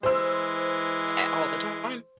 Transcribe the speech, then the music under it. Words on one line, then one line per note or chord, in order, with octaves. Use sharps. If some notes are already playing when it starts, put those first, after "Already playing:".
Eh, all the time.
E3 G#3 C5 E6